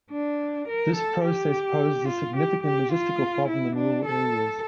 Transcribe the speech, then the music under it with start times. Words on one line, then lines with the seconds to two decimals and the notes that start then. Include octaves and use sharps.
This process poses a significant logistical problem in rural areas.
0.11 D4
0.68 A#4
0.96 A4
1.24 G4
2.08 F4
2.37 G4
2.64 G4
2.92 F4
3.48 E4
3.76 D4
4.05 A4